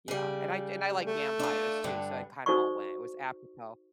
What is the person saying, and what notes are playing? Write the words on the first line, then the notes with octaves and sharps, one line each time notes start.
yeah, and I j and I like vampires too, so it kinda all went, it was apropos.
C#3 G3
A3
D4 F4
G2 D3
D#4 F#4 A4 C5 D5 C#6